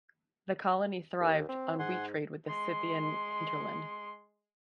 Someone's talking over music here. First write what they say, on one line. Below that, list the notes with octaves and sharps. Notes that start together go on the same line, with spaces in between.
The colony thrived on wheat trade with the Scythian hinterland.
D#2
C4
G#2 F#5 G#5 C6
G#3 C6